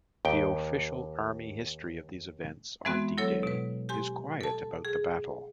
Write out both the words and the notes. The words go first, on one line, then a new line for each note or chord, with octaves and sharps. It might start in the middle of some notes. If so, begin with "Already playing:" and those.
The official Army history of these events on D-Day is quiet about the battle.
D#2 G5
E3 G#3 B3 C4 F#4
F#3 E4 A4 C#5
B2 B4
G4 G#5 C6
A4 A5
G#4